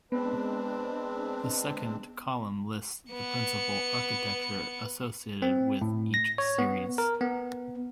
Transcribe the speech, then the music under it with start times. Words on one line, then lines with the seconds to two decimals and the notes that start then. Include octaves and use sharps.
The second column lists the principal architecture associated with each series.
0.12 G#3 B3 C4 D4 B4
3.12 B3 C#7
5.42 C4
5.81 A2
6.14 A#6
6.38 C#5
6.59 B3
6.98 A#4
7.21 B3